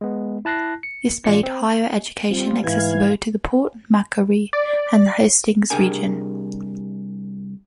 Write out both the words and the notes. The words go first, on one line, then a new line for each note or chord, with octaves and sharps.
This made Higher Education accessible to the Port Macquarie and the Hastings region.
G#3 B3
E4 A5 F#6 A#6 C7
C#7
A1 F4 D5 C#7
C4
G3 C4 F4
G#2 E3 F5 G#6
D5
C2 D4 G4 G#4 A#4 G#5